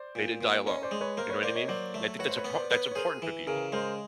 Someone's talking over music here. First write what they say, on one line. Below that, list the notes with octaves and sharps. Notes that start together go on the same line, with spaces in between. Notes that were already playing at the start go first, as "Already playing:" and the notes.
They didn't die alone. You know what I mean? And I think that's a po that's important for people.
Already playing: C5 D5
A#2
A#2
C#4 C#5 D#5
C5 D5
G#3
B4 C#5
A#3 A#4 C5
B4 C#5
A#3 C5 D5
C#5 D#5
F#3 C5 D5
A3
F#4 B4 C#5
C5
B4 C#5
B3
C5 D5
B3 B4 C#5
C#5
G#4 A#4 C5
E3
C#3 G#4 A#4
G#3 A#4 C5